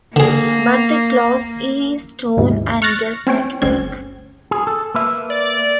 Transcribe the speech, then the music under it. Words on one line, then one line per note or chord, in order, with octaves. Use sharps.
But the cloak is torn and does not work.
D3 A#3 G#4
D#2 G#2 C3 E3
C#6 F6 F#6 A6 A#6 C#7
C4 C#4 C#5 G5
G1 D2 C4 C#4 G#6
G#4
A4
A#3 B4 E5
D5